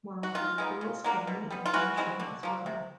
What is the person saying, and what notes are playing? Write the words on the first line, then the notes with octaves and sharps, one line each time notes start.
Moreover, pearls came in fashion as well.
F#4
D#3 F4
G#3 B3 D#4
C#3
F#3 A#3 D4
B2
G3 B3
F4
E3 F#4
G#3 C4 E4
D3
F3 A#3
C3